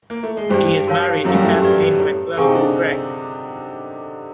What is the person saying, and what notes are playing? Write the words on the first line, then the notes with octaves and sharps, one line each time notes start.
He is married to Kathleen MacLellan Gregg.
A#3
A3
G#3
G2 G3 D4 G4 C5
F#4 A#4 C#5 F5 A5
F#2 F#3 C#4 E4 A4 C#5 F5
G2 G3
A2 A3
G4 B4 D5
E4 A4 C#5
C3 C4 G#4 C5 F5 G#5 C#6
D#4
D3 D4